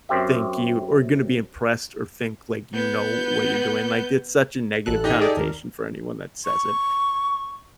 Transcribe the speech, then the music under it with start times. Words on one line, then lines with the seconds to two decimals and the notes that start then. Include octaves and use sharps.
think you or gonna be impressed or think, like, you know what you're doing. Like, it's such a negative connotation for anyone that says it.
0.09 F#2 C4 G4 E5
2.74 B3 G6
4.86 A1 A4 F#6
5.04 D#4 G4 D#5
5.19 G#4 A4 D5
5.37 D#2 A#4
6.45 C#6